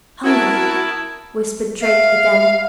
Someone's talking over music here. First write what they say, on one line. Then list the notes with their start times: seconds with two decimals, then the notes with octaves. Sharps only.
"Hungry," whispered Drake again.
0.24 E4 F#4 A#4 E5 A5 D#6 G#6 D7
1.82 E5 F5